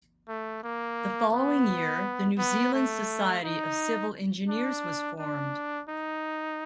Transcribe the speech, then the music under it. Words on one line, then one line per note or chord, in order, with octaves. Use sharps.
The following year the New Zealand Society of Civil Engineers was formed.
A3
A#3
B3
B3
A3
D#4
D4
D4
D#4